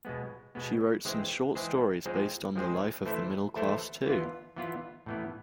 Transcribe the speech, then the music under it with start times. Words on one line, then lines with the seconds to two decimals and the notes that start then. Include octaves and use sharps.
She wrote some short stories based on the life of the middle class too.
0.05 B2 G#3 B3
0.55 B2 G#3 B3
1.05 E3 G#3 C4 G#4 C5
1.55 E3 G#3 C4 G#4 C5
2.06 F3 G#3 C4 G#4 C5
2.56 F3 G#3 C4 G#4 C5
3.06 E3 A3 E4 A4 C5
3.56 E3 A3 E4 A4 C5
4.06 E3 B3 F4
4.56 E3 B3 F4
5.06 A2 E3 B3